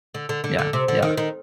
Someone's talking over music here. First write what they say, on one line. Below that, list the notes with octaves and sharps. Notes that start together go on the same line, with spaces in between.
Yeah, yeah.
D3
D3
D3
D3
C3
D3
D#3
D#3